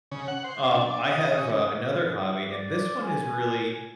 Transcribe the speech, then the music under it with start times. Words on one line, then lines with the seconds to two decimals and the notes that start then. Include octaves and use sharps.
Um, I have, uh, another hobby, and this one is really
0.12 C#3
0.28 F#5
0.44 C5
0.71 D4
1.11 D#5
1.37 C#3
2.51 D5
3.02 G#5